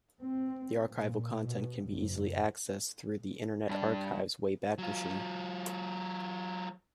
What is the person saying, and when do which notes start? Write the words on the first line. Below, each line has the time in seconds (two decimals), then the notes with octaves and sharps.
The archival content can be easily accessed through the Internet Archive's Wayback Machine.
0.22 C4
0.89 A#2
1.44 B2
1.86 F#1
3.70 G2 D4
4.78 F#3 F4